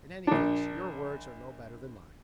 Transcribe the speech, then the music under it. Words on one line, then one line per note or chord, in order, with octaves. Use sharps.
In any case, your words are no better than mine.
A#1 D4